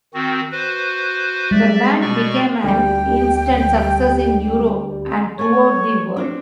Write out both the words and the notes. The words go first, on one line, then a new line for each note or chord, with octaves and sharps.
The band became an instant success in Europe and throughout the world.
D#3 C4 F#4
F#4 B4 C5
G3 G#3 D5 E5
B2 D5 C#6
D2 G3 G5
A3 C#5 G#5
C4 D4